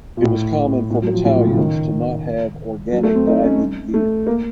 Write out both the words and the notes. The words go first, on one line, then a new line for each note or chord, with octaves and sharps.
It was common for battalions to not have organic diving gear.
A#2
A2
A2
F#3
F3
A2
A#2
C#3
D#3
F#3
A3
C4
D#4
C#4
A3
A#3